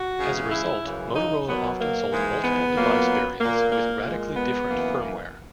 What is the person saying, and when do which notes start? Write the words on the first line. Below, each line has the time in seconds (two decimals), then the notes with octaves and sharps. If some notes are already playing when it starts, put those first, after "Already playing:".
As a result, Motorola often sold multiple device variants with radically different firmware.
Already playing: F#4
0.19 C#3 E3 G#3
0.51 E4
0.84 F#2 C#3 E3
1.15 D#4
1.47 B2 F#3 A#3 B3
1.81 A#3
2.12 G#2 E3 G#3
2.44 B3
2.76 A#2 F#3 A#3
3.41 A#2 A#3
3.72 A#3
4.04 A#2 G#3
4.36 B3
4.69 F#2 E3 A#3